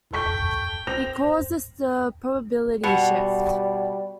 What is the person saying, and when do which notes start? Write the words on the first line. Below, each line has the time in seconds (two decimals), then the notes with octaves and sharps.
He calls this the "probability shift".
0.13 A4 G5 C#6 B6
0.87 C4 A#6 F7
2.84 B2 G3 F#5